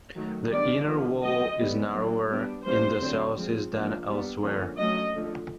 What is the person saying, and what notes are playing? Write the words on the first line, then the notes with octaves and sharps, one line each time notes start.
The inner wall is narrower in the southeast than elsewhere.
D#3 F#3 A3
D#3 G3 B3 D4 D5
D3 F3 G#3 B3
F#3 A3 C4 D#5
D3 G3 B3
F#3 A#3 D4
G3 B3 D4
E3 G3 A#3 C#4 C5
D3 F#3 A3 C4
F3 G#3 C4
F3 A#3 D4
G3 B3 D4
D3 F3 A#3 C#4
F#3 A3 C#4 D#5
D3 F3 A3